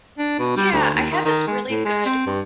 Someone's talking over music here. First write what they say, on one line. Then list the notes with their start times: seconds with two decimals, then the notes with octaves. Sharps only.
Yeah, I had this really good
0.18 D4
0.39 B2
0.57 G3
0.73 D2
0.94 D#2
1.11 D#3
1.25 D#3
1.47 G#3
1.70 A2
1.85 G#3
2.06 C4
2.27 G2